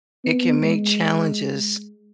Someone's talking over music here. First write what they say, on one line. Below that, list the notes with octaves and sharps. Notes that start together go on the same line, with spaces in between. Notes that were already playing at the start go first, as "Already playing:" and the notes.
it can make challenges
B3
G#3